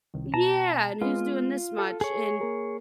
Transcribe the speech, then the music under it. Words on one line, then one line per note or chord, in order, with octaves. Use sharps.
Yeah, and who's doing this much, and
C2 D#3
B2 A5 A#5
G#3 B3 F4
A4
G#4 C#5
A#3 A#4